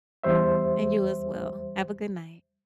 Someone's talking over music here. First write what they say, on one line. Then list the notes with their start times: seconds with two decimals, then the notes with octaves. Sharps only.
And you, as well. Have a good night.
0.23 E2 G3 C5 E5